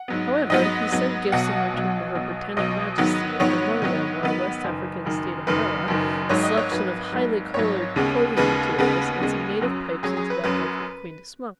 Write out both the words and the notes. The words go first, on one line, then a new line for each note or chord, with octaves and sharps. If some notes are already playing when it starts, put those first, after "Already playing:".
However, he sent gifts in return to her Britannic Majesty, and among them were a West African state umbrella, a selection of highly coloured clothing materials, and some native pipes and tobacco for the Queen to smoke.
Already playing: F#5
G#2 F#3 B3
G#2 F#3 B3 D#5
G#2 F#3 B3
B1 B2 F#3 F#5
B1 B2 F#3
B1 B2 F#3
B1 B2 F#3 D#5
G#2 D#3 F#3 B3
G#2 D#3 F#3 B3 C#5
G#2 D#3 F#3 B3
G#2 D#3 F#3 B3 B4
F#1 F#2 D#3
F#1 F#2 D#3
F#1 F#2 D#3 B4
F#1 F#2 D#3
G#1 G#2 F#3 C#5
D#5
C#5
G#1 G#2 F#3 B4
G#1 G#2 F#3
G#1 G#2 F#3 C#5
D#2 C#3 G#3 B3
D#2 C#3 G#3 B3 B4
D#2 C#3 G#3 B3 B4
D#2 C#3 G#3 B3
F#2 F#3 C#4
F#2 F#3 C#4 G#4
G#4
B4
F#2 F#3 C#4 B4